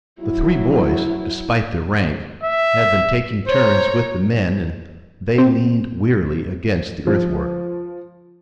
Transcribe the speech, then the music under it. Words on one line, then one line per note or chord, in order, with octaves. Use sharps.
The three boys, despite their rank, had been taking turns with the men and they leaned wearily against the earthwork.
F#3 E4
E5
C5 C#5 A#5
C4
F3